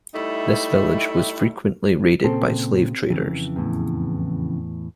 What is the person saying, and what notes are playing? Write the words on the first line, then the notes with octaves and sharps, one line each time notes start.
This village was frequently raided by slave traders.
G3 A3 D#4 E4
A#2 C#3 C4 A4
F2 C#3 E3
E2 A2